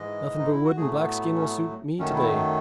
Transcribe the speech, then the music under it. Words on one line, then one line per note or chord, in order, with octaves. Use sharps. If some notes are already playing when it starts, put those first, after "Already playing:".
"Nothing but wood and black skin will suit me to-day!"
Already playing: G#2 E3 G#3 D#5
D#4
E4
F#4
A2 F#3 A3 G#4
B3
C#4
B3
F#2 D#3 F#3 A3 C#4
E4